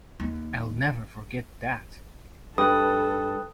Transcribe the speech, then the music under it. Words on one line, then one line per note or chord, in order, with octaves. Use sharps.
I'll never forget that.
D#2
G2 A4 B4 G5 D#6 F#6